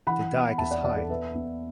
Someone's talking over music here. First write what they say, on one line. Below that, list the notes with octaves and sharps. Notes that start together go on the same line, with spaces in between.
The dyke is high.
E3 F#5 B5
B3
E2 E5 A5
D5 F#5
E2 D5 F#5
A4 D5
B3 B4 E5
B3